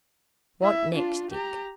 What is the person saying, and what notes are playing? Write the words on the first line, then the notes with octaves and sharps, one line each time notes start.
"What next, Dick?"
E4 E5
D4 F4
G4 A#5